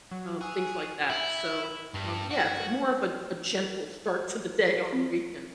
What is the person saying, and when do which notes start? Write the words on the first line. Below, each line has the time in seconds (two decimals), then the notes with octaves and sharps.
um, things like that so, um, yeah, it's more of a a gentle start to the day on the weekend.
0.11 F#3
0.41 G#4 C#6 D#6 E6 F#6
1.10 E4
1.94 G2
2.31 F#4
4.93 C4